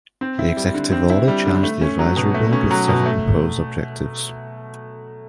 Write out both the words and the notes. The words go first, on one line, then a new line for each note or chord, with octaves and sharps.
The Executive Order charged the advisory board with several proposed objectives.
C4
E4
G3
D3
C4
E4
G3
D3
A3
C#4
F#3
B2
A3
C#4
F#3
B2
A3